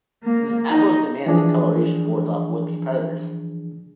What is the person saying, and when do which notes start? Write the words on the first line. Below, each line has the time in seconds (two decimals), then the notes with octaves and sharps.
This aposematic colouration wards off would-be predators.
0.23 A#3
0.70 D#4
1.26 E3 F3 D4 G#4